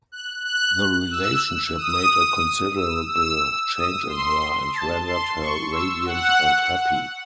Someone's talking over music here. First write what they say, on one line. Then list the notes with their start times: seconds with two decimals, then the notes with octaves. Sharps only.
The relationship made a considerable change in her, and rendered her radiant and happy.
0.12 F#6
0.44 F#6
1.11 E6
1.77 D#6
2.76 E6
3.09 E6
3.75 D#6
4.08 C6
4.73 A5
5.07 C6
5.40 C#6
5.72 E6
6.06 F#5